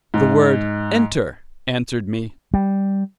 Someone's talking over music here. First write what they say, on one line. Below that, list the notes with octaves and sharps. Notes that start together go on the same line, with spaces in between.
The word "Enter!" answered me.
G#2
G3